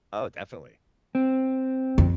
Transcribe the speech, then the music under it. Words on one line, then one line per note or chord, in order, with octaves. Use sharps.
Oh, definitely.
C4
F2